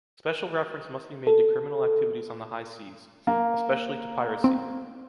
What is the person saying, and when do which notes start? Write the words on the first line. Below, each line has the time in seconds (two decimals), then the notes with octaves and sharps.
Special reference must be made to criminal activities on the high seas, especially to piracy.
1.27 A4
3.27 A#3
4.44 C4